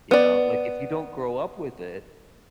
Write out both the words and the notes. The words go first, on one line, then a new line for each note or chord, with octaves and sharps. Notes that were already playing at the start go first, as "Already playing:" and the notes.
you know? Like, if you don’t grow up with it,
B3 D5